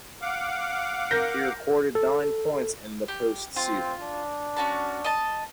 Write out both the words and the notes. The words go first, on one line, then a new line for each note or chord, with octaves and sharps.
He recorded nine points in the post-season.
F5 F#5 D6
A#4 G6 A#6
A4
G4
C4 F4
D4
C#4 F#4 A5
D#5 A5